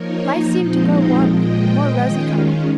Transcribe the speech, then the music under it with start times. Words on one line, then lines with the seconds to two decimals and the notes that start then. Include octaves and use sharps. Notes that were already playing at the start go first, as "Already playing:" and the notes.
Life seemed to grow warmer, more rosy colored.
Already playing: F3 A#3 D#4 A#4 C#5
0.57 A#2 F3 G#3 C4 D#4 C5 D#5
0.93 C5 D#5
1.27 A#2 F3 G#3 D#5 G5
1.98 D#3 G#3 C#4 F4